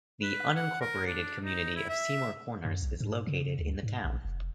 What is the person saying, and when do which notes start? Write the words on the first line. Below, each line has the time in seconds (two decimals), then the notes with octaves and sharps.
The unincorporated community of Seymour Corners is located in the town.
0.23 B4
0.55 F#5
0.81 A#4
1.06 D4
1.44 D#4
1.76 E4
1.89 E5
2.65 F#2
2.83 B1
3.00 G#2
3.27 C#3
3.59 D2
3.83 G#2
4.04 A#1
4.25 F1